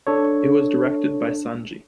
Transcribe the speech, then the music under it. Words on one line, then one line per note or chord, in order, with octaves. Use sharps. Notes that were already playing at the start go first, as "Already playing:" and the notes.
It was directed by Sanji.
D4 A4 C#5